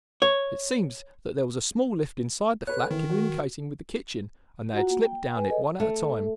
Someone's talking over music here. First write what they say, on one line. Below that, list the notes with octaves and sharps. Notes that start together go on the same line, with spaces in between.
It seems that there was a small lift inside the flat communicating with the kitchen, and they had slipped down it one at a time.
C#5
A4 B4 C#5 F#6
D#3 E3
F#4
F4 F#4 F#5 A#5
A#3
G5
B4 G#5
G#4 A4 C#5 D#5
A3